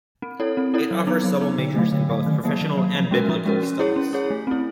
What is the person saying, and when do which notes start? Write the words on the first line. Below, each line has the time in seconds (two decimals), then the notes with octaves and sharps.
It offers double majors in both professional and biblical studies.
0.22 C4
0.40 E4 A4 C#5
0.57 C4
0.74 E4 A4 C#5
0.91 F#3
1.07 B3 D#4
1.24 F#3
1.41 B3 D#4
1.58 D3
1.75 F#3 A3
1.92 D3
2.10 F#3 A3
2.26 D#3
2.44 F#3 A#3
2.61 D#3
2.77 F#3 A#3
2.95 F3
3.11 G#3 C#4 F#4 A#4
3.29 F3
3.45 G#3 C#4 F#4 A#4
3.63 C#4
3.79 E4 G#4 C#5
3.96 C#4
4.13 E4 G#4 C#5
4.30 A3
4.47 C4 E4